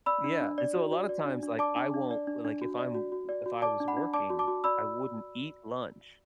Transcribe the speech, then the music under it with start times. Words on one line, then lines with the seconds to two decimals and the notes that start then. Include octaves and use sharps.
Yeah, and so a lotta times, like, I won't l like, if I'm w if I was working, I wouldn't eat lunch
0.06 D5 B5 E6
0.24 D4
0.41 D4
0.58 D5
0.75 F#4
0.91 F#4
1.09 D5
1.25 D4
1.43 D4
1.59 D5 A5 D6
1.76 D4
1.94 D4
2.11 D5
2.27 D4
2.45 D4
2.62 F#4
2.78 D5
2.95 F#4
3.12 F#4
3.29 D5
3.46 F#4
3.62 D5 A5 D6
3.80 D4
3.88 F#5 B5
3.97 D4
4.14 D5 A5 D6
4.30 F#4
4.39 A5 D6
4.48 F#4
4.64 D5 B5 E6